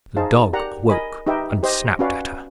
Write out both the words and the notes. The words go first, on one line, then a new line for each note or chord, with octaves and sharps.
The dog awoke, and snapped at her.
D#4 G#4 C5 F5 A5
G4 A#4 D5 F#5 A#5
A#4 D#5 G#5 B5
D#4 G4 B4 E5 G5
G4 C5 D#5
C#4 F#4 B4 D5 F5